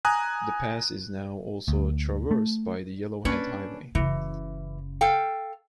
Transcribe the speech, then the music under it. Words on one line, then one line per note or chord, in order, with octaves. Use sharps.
The pass is now also traversed by the Yellowhead Highway.
G#5 A#5 D#6 F#6
D2
A3
A#3 C#4 D4 B4
F#1 C#3 E3
A4 F5 G5